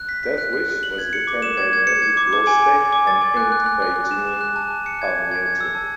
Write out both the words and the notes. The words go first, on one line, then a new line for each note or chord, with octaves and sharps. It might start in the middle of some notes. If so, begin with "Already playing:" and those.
"Deathwish" was written by Maddie Blaustein and inked by Jimmy Palmiotti.
Already playing: F#6
B6
B6
F#6
F#6
F#6
F#7
G#6
C#7
D6
E7
G#6
G#6
C#7
G#6
D6
D6
G#5
G#5
G#5
D6
A6
G#5
F#6
F#6
F#6
F#6
F#6
E7
E7
F#6
A5
A5
C#7
G#6
A5
G#6
G#6
E6
A5